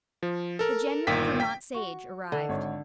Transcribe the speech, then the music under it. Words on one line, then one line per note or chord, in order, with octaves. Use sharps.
The genuine Vermont Sage arrived.
F3
A4 A#4
G1 A#2 D#3 G5 B6
G5 B6
F#4 C#6
D3
G#1 C#5